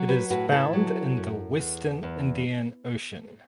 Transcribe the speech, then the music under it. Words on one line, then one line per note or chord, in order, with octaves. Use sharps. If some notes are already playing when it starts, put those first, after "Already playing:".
It is found in the western Indian Ocean.
Already playing: F#3
F#4 B4
A2 F#4 B4
E4 A4
F#3
F#2
E2
E2